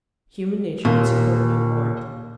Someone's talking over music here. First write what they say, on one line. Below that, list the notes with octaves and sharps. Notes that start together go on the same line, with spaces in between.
Human nature could support no more.
D#2 A#2 A#3